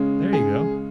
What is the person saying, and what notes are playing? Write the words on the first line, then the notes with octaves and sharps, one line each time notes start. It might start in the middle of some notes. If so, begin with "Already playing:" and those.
There you go.
Already playing: C#3 G#3 C#4
G#4